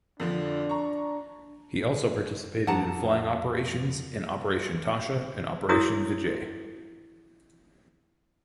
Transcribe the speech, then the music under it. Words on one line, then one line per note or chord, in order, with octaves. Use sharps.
He also participated in flying operations in Operation Tasha and Operation Vijay.
F2 D3 F3 D4
A#5 C#6
F2 F#5 A5 A#5
E4 F#4 G#4 A#4 C#5 D#6